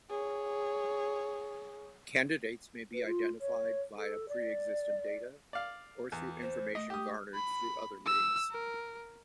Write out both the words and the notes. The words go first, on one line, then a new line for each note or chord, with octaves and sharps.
Candidates may be identified via pre-existing data or through information garnered through other means.
G#4 C#5
B4
F4
C#5
A4
D5
D5 F5
E2
C5
A3 D#5
G4 D#6
B5
E6
A#4